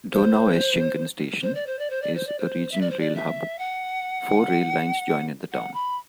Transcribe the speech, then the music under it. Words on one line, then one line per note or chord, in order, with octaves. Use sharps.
Donaueschingen station is a regional rail hub; four rail lines join in the town.
C5
C5
D5
C5
D5
C5
D5
C5
D5
C5
E5
D5
C5
D5
E5
F#5
F#5
B5